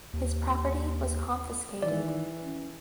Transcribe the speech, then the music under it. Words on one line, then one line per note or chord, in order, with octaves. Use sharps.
His property was confiscated.
D#2
D#3 E3 D5
C#4